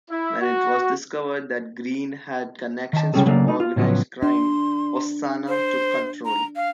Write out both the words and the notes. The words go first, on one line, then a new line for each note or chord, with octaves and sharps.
When it was discovered that Green had connections to organized crime, Ossanna took control.
E4
F#4
D#3 A5
C#3 F#3 G3 C#4 G#4 A4
C#3 F#3 A3 A#3 D4
A3 D#4
F4
A2 C#3 F3 F#3 B3
D4 C6
C5
A#5
F5